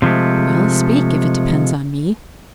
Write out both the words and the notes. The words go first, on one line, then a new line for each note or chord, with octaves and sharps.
"Well, speak, if it depends on me."
C3 F3 G#3 A3